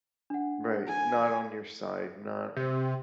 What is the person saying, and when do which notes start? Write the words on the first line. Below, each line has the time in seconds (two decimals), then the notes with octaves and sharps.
Right, not on your side, not
0.30 D4 F#5
0.88 G#5
2.56 C3